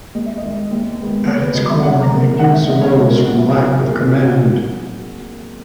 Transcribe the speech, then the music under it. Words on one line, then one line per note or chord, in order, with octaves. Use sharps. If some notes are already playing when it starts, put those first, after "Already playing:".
At its core, the abuse arose from lack of command.
D#2 D#5
E5
D#5
D#3 G#3
D#2
D#3 G#3 B3
D#2 C#5
B4
C#3 F#3 D#5
E5
F#2 F#5
A#5
C#3 E3 A#3 C#4
E2 F#5
E5
C#3 E3 B3 D#5
C#5
G#2
A#4
D#3 F#3 B3 F#4
E4
F#2 F#4
D#3 A#3 G#4